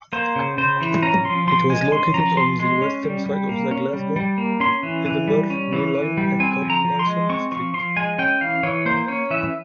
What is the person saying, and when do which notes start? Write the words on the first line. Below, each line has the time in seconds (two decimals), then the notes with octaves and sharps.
It was located on the western side of the Glasgow-Edinburgh mainline at Carlisle Street.
0.13 A#3 C5
0.36 C#3
0.58 C#3 C5
0.81 E3
1.02 C#4 A#5
1.25 F3 C6
1.47 F3 C6
1.70 G#3 G#5
1.92 C#4 C6
2.14 F3 A#5
2.37 F3 C6
2.59 G#3 C6
2.82 C#4
3.04 G3
3.26 G3
3.49 A#3
3.71 C#4
3.93 G3
4.16 G3
4.38 A#3
4.60 C#4 C6
4.83 E3
5.06 E3
5.28 G3
5.50 C#4
5.73 E3
5.95 E3
6.17 G3
6.40 C4 G#5
6.62 F3
6.70 A#5
6.85 F3
6.99 C6
7.07 G#3
7.29 C4 C#6
7.52 F3 C#6
7.74 F3 C6
7.96 G#3 G#5
8.18 C#4 G5
8.41 E3 F5
8.63 E3 C#5
8.85 A#3 C5
9.08 C#4 C#5
9.31 E3 E5